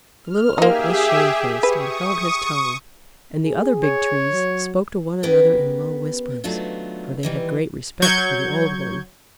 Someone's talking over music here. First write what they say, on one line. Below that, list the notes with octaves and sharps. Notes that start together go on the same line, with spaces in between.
The Little Oak was shamefaced, and held his tongue; and the other big Trees spoke to one another in low whispers, for they had great respect for the old one.
F6
A#3 D#4 G4 G#4 E5
B4 C#6 D#6
G#4
C#5
F#3
B3 C#4 G4 A#4 B4
D#3 F#3 A3 B3 D4 F4
D#3 E3 G3
F#3 C#6 G6 G#6